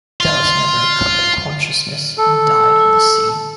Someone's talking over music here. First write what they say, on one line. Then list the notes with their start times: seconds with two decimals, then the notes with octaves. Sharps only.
Dallas never recovered consciousness and died on the scene.
0.20 F4
2.18 A4